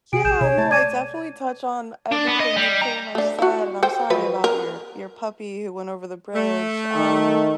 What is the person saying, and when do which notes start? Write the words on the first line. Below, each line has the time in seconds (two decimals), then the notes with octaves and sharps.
Yeah, no, I definitely touch on everything you've pretty much said, and I'm sorry about your your puppy who went over the bridge, um,
0.13 C3 G#4 D7
0.25 A#1 G6 E7
0.41 C3 C#5
0.58 A3 A5
0.71 D5 G#6 D#7
2.12 D4
2.27 B3
2.40 D#5
2.56 G3
2.82 A#5
3.15 A3 D4
3.39 E4 F#4
3.83 A4 C5 G5
4.10 F3 F#3 B4
4.44 A#4
6.34 A3
6.96 D#3